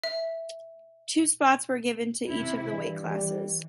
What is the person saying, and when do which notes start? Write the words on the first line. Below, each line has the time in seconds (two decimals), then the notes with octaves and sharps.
Two spots were given to each of the weight classes.
0.04 E5
2.30 C3 E4
2.74 G2 E3
3.10 G3